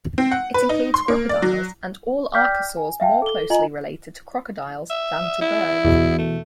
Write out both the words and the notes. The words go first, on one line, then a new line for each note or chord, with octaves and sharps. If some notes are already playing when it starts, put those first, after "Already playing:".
It includes crocodiles and all archosaurs more closely related to crocodiles than to birds.
C4
F#5
B4
D#4
C6
A#3
D5
F#3
D5 G5 D6 F6 G6 B6
G#5
E5 F5 G5 A5
A4 G7
F4 D#5 G#5 A#5 F#7
E5
E4
E2 B2
A3